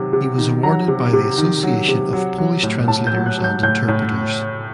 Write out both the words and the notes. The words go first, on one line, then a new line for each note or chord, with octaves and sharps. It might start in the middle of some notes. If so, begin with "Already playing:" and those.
He was awarded by the Association of Polish Translators and Interpreters.
Already playing: C3 D#3 F#3
C3
D#3
F#3 A#5
C3
C3
D#3
F#3
C3
F#3
F#3
A2
A2 A5
G6
F#3
F#6
F#3
G6
A2 G6
A2